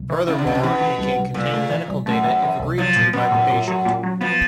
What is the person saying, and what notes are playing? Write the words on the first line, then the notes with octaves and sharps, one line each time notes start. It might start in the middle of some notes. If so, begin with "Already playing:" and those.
Furthermore, it can contain medical data if agreed to by the patient.
Already playing: C2
E3
C#3 E3
D3
C2 C#3
C3
B2 E3
E3
C2
C2
C2 A#2
A3
E3
C2
F#2 A3
E3
E3
C2
F3 F#3
A#2
F#2 B3
A#2
A#2
F#3
A#2
F#3
F3 B3